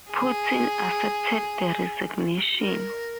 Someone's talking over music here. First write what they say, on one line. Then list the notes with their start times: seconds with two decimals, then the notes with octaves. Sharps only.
Putin accepted the resignation.
0.12 G#4
2.60 A#4